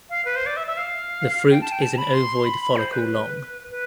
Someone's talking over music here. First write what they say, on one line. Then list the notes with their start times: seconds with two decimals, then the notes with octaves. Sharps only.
The fruit is an ovoid follicle long.
0.10 F5
0.25 B4
0.36 C5
0.46 D5
0.57 E5
0.67 E5
0.77 F5
1.50 G5
1.61 A5
1.72 G5
1.82 A5
1.93 A5
1.98 B5
2.14 C6
2.45 B5
2.77 C5
2.93 B4
3.71 B4